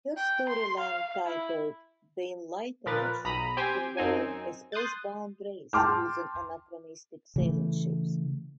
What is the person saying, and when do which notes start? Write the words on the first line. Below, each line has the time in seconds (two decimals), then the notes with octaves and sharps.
Her storyline, titled "The Enlighteners", involved a space-bound race using anachronistic sailing ships.
0.17 G5
0.49 C6
0.80 F5
1.26 E4
2.86 A#2 F3 A#4 B4 A6
3.25 B1 A#5 B5 D#6
3.57 C4 G4 C5 G5 G#5
3.97 F#2 C4 D#4 G#5
4.72 C6 D#6 F#6 G6 A6
5.73 G5 A5 C6 D6 F6
7.36 C#3 E3 A3